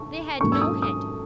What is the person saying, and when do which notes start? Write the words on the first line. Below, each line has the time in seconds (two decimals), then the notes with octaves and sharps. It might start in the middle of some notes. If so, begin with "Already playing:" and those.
They had no head.
Already playing: C#6
0.40 G#2 F#3 A#3 C#4 C#6
0.52 E6
0.62 D#6
0.82 D#6